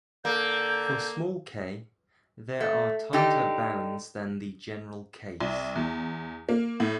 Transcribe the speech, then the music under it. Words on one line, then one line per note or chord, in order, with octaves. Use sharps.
For small "k", there are tighter bounds than the general case.
D3 A#3 G6
A3
D3 D#4 G4
C2
E2
A#3
A2